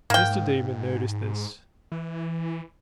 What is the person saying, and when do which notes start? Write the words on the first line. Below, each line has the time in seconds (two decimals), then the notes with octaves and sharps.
Mr. Damon noticed this.
0.10 G#2 A#3 G5
1.92 E3